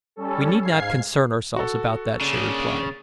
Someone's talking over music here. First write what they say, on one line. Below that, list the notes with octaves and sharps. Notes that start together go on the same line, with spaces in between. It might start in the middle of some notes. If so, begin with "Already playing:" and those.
"We need not concern ourselves about that," she replied.
G3 C#4 A4
G#2 F5 G#6 C7
F#4 A4
C#3 A#3 D4